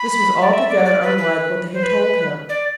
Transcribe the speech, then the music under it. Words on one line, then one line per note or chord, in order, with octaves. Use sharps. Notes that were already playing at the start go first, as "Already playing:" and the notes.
This was altogether unlike what they had told him.
Already playing: B5
D5
E5
D5
D5
B4
B4
C5
B4
D5